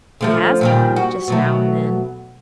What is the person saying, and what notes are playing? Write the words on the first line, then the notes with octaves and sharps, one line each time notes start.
'He has been--just now an' then.'
D3 F3 A3
A#2 D#3 G3
F#4
B2 F#3 A3